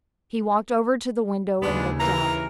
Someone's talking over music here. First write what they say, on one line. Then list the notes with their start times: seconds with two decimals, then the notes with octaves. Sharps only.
He walked over to the window and looked out.
1.62 D#2 C#3 G#3 B3 D4
2.00 E3 A#4 A#5